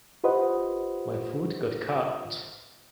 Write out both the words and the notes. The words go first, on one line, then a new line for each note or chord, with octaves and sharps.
My foot got caught.
F4 G4 B4 C5 D#5 F#5